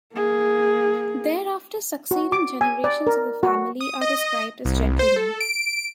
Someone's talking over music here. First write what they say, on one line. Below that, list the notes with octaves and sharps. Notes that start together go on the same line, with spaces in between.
Thereafter succeeding generations of the family are described as gentlemen.
A#3 G#4
F#4
D6
G#5
D5
A#4
F#4
D#6
D#5
C2
C5
A4
D7